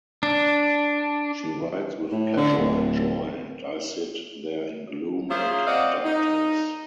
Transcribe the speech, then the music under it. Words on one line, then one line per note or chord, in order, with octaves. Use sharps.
She writes with pleasure and joy, and I sit there in gloom and darkness.
D4
A2
D3
D1
A#3 C#4 F4 G#4 C5 E5
C4 D5 D#5 F5 F#5
D#4